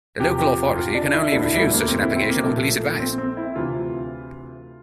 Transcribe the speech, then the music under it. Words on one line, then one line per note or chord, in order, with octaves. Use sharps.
The local authority can only refuse such an application on police advice.
E2 C3 F3 G4
G4
F4
D4
E4
E1 D2 D3 D4
E4
G3
A3
A#3
C4
E4
C4
A#3
A#1 A#2 F3 A3
C4
C4
E4
D2 C3 E3 F4